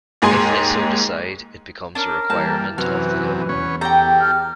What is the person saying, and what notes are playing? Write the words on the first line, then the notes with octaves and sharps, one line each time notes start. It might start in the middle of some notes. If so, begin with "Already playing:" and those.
If they so decide, it becomes a requirement of the loan.
D#2 G#2 G#4 G#5 C6
C#4 D4 A#4
E3 G3 A#3 A5
F#2 C3 E3 F#3 B4 F6
E2 B3 C#4 C#5
G4 A4 G5 A#5
F6